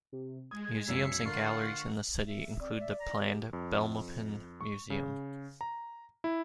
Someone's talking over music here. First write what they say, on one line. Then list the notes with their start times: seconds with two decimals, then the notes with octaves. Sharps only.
Museums and galleries in the city include the planned Belmopan Museum.
0.12 C3
0.51 G#3 D#6 G#6
0.88 B1 F#2 E5 C7 C#7
1.25 D3 F4 A#4 F#5 C#6
2.27 E5
2.60 C4 D5
2.80 E5
3.00 A#5
3.19 G4
3.53 F2
4.61 C#6
4.90 C#3
5.61 A#5
6.24 E4